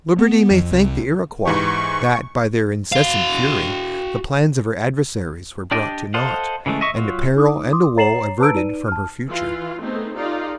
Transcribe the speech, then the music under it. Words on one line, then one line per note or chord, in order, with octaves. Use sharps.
Liberty may thank the Iroquois, that, by their insensate fury, the plans of her adversary were brought to nought, and a peril and a woe averted from her future.
B3
F2
C2
G#2 E3 G4 C#6
F#4 F5
D4 G4 D5 D#5
A4 C5 D#5 F5 F#5
C#3 E3 G#3 A3
D#5 E5 C#6
F#3 F4 F#4
D#4 D6 D#6
C6 D6 D#6
C#5 A#5 A6 C7 E7 F#7
B4 A5 A#5 E6 D7
D#4 B4 D5 D#7
A5 F6
E3 F4
A3 B3 C4 D#4 G#4
D#4 F4 G4 A4 D5 F5